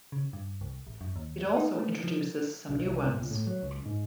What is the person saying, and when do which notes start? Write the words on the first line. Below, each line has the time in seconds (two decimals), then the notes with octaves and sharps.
It also introduces some new ones.
0.12 C#3
0.33 G2
0.61 C2
0.87 A1
1.01 F#2
1.16 D#2
1.57 D#4
1.79 A3
2.04 F3
2.69 B1
2.85 C2
3.06 G#2
3.19 C#2
3.31 A2
3.47 F#3
3.63 C#2
3.85 G#2